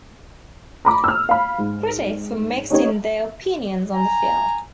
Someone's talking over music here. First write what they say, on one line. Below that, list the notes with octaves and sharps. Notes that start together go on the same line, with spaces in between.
Critics were mixed in their opinions on the film.
A#5 B5 D6
E6 F6
F5 B5
G#2
C#4 D#4 G4 C#5
G#5 A#5